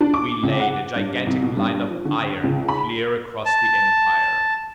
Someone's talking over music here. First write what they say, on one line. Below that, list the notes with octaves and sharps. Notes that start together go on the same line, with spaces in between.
We laid a gigantic line of iron clear across the empire.
D4
D6
C#2
F#5
G2
C2
B2
G2
F3
D3
C#2
B5
A5